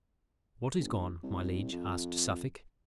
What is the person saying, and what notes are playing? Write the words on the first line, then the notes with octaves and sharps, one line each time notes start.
"What is gone, my liege?" asked Suffolk.
G1
C2
F2